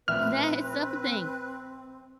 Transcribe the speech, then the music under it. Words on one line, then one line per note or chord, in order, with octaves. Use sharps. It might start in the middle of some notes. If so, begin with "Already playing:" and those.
that is something.
A#1 A2 C4 B4 E5 F6